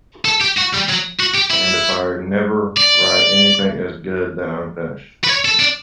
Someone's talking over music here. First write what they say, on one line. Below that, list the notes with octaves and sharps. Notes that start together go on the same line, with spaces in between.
And if I never write anything as good, then I'm finished.
A4
G4
F#4
G3
F#3
F#4
G4
E4
D5
B4
C#5
A4
D4